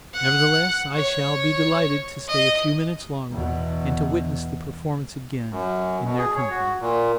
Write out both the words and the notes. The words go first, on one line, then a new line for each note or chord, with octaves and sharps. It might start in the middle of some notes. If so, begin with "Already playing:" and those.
Nevertheless I shall be delighted to stay a few minutes longer and to witness the performance again in their company.
F#5
C#5
D#5
E2 B2
F#2
B2
G#4
C#5
F#4
A#2